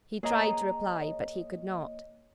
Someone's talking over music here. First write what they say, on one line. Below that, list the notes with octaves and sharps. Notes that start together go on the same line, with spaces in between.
He tried to reply, but he could not.
A#3 G#4 C#5 D#5 A#5